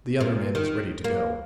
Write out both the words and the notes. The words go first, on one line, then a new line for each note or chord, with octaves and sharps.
The other man was ready to go.
A#2
D#3
A#3